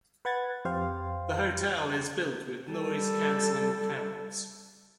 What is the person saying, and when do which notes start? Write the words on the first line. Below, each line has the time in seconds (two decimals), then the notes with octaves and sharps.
The hotel is built with noise canceling panels.
0.25 B4 F#5 G#6 A6
0.65 F2 G4 C5 F5
2.69 G3 A4